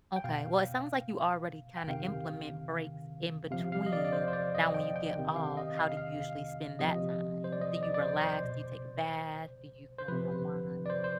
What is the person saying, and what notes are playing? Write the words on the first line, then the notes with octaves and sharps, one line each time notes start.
Okay. Well, it sounds like you already kinda implement breaks in between. Now when you get off, how do you usually spend that time? Do you relax? Do you take a bath? Do you kinda unwind?
G5
B2 F5
G5
C3 D#3 F5
C3 F3 F5
F5
D#5
D5
D5
C5
C5
D5
D#5
G5
G5
C3 D#3
F5
D#5
F5
F5
C3 F3 D#5
C5
D5
D#5
D5
D5
C5
C5
B2
C5
C3 F3 B4
D5
C5
C5